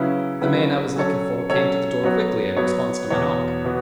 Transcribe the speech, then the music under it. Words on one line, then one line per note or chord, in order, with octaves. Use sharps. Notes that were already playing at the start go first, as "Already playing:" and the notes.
The man I was looking for came to the door quickly in response to my knock.
Already playing: C#3 F#3 C#4 E4 B4
C#3 F#3 C#4 E4 B4
F#3 C#4 A4 C#5
F#3 C#4 A4 C#5
F#3 B3 F#4 C#5
F#3 B3 F#4 C#5
E2 B2 B3 F#4 C#5
B2 B3 F#4